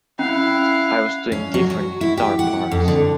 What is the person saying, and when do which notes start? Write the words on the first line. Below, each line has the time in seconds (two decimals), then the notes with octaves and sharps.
I was doing different guitar parts.
0.19 C#4 E4 F5 F#5
1.32 C#4
1.54 F#3
1.70 F#4
2.01 E4
2.17 G4
2.39 F#5
2.71 F2
2.88 D3